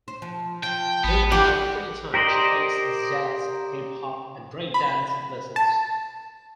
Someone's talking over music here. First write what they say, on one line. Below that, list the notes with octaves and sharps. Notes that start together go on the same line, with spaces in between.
During her free time she takes jazz, hip hop, and break dance lessons.
C5
F3
F3 G5
A1 B3
E3 G4 F#5
G4 A#4 C5 D5 D#5
B5
A5